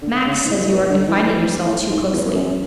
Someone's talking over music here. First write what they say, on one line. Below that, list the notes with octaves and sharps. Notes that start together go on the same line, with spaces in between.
Max says you are confining yourself too closely.
D3
C#3
G#2
A2
A2
B2
D3
E3
E3
E3
A2
G#2
E2
F#2